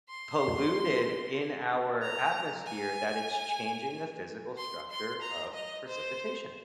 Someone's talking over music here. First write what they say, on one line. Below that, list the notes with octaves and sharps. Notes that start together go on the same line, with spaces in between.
polluted in our atmosphere that it's changing the physical structure of precipitation
C6
A#5
G#5
C6
C6
A#5
D#5
C5